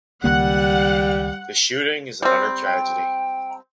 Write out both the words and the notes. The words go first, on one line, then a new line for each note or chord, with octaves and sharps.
This shooting is another tragedy.
C#2 D#3 G3 A#3 F#5
G3 C4
G5